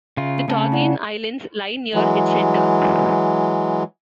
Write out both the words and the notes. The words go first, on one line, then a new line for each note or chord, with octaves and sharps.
The Togian Islands lie near its center.
C#3 F4 E5
C#3 A3 C4 A5
E4 D5 F#5
E3 F#3 G#3